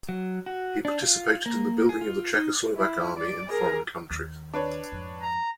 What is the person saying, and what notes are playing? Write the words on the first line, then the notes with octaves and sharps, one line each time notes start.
He participated in the building of the Czechoslovak army in foreign countries.
F#3
F#4
D4
F4
A#3
G#4
F4
D#4
E4
D5
G#4 A#4
D#2
D4 B4 C#5
F2 G#2
A#5